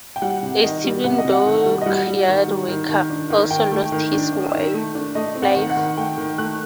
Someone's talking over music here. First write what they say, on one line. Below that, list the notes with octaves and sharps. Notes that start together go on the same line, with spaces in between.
A civilian dockyard worker also lost his life.
G5
G3 F#5
C3
D#3 D#5
G3
C3 F#5
D#5
C3
F#5
D#3
G3
D#5
G3 F#5
G3
D#3
G3
D#3
D#3
D4
D#3
D#3 G5
A3
D#3
D4
D4
D#3
A3
D4
A3 D#5
C4
F#5
D#3
F#5
D#3
A3 G5
D#3
A3 F#6